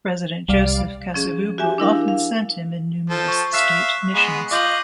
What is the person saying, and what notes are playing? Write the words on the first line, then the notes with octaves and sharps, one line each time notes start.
President Joseph Kasavubu often sent him in numerous state missions.
C2 G3 D5 F5
F3 C#4 G#4
F#4 G4 E5 G#5
D4 E4 A#4 F5
F5
F3 A4
C#6
E5 F5 F#6 B6 C7
G#3 B3
F4 D#5 D6 G6 F#7